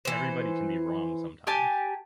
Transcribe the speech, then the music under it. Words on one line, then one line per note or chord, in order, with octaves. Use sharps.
Everybody can be wrong sometimes.
E3 C5
G4 G#5 A5